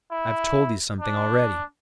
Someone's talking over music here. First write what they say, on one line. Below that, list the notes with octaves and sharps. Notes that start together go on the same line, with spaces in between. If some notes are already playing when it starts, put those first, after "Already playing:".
I've told you something already....
E4
D4